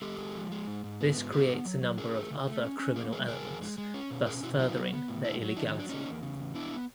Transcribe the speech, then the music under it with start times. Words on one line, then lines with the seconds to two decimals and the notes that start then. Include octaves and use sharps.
This creates a number of other criminal elements, thus furthering their illegality.
0.02 G#3 G4 A4
0.19 G#3
0.35 F3
0.52 G#3
0.67 G#2
0.84 G#2
1.00 B3
1.17 G#2
1.32 B3 G4 A4
1.49 B3
1.65 F#3
1.82 F#3
1.97 C#4 G#4 A#4
2.15 A3
2.31 C#3
2.47 A3
2.64 C#4
2.79 C#4
2.96 A#3 G#4 A#4
3.12 G3 G#4 A#4
3.28 C#3 G#4 A#4
3.45 F2
3.61 G#3
3.78 G#3
3.94 C#4
4.11 B2
4.26 C#4 G#4 A#4
4.43 B2 E4 F#4
4.59 F#3 D#4 F4
4.76 B3
4.93 B3
5.08 A2
5.24 G#2 D4 E4
5.42 F#3
5.57 D#3 D4 E4
5.68 C#4
5.73 F#3
5.79 D4
5.89 A#3 C#4 D#4
6.06 E2
6.23 C#3
6.40 E2
6.55 B3 D4 E4
6.71 B3